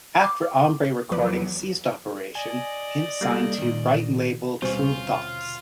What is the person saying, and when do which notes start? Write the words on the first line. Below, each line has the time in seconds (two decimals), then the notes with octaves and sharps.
After Hombre Recordings ceased operation, Hint signed to Brighton label Tru Thoughts.
0.24 C6 D6
1.12 E2 F3 F#3 B4 D5
2.35 D5 D#5 G#5
3.21 G3 A#3 A4
3.58 A#2 D#3
4.62 D#2 B2 D3 G3 C4 C#4 F4 C5